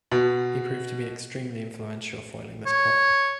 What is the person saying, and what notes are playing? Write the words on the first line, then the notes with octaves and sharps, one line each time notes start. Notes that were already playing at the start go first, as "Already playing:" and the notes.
He proved to be extremely influential foiling this plot.
B2
C#5